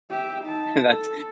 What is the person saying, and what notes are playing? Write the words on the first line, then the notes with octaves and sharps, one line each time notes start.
and that's,
G4 E5
D#4 A5
A4